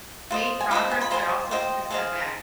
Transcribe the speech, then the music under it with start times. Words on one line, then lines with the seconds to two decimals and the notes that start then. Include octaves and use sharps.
made progress, but also took a step back.
0.31 F4 C5 D#5
0.61 G#5
0.71 F4 C5 D#5 B5
0.91 G#5
1.01 B5
1.11 F4 C5 D#5 G#5
1.51 F4 C5 D#5 G5
1.90 G#4 C5 D#5 F5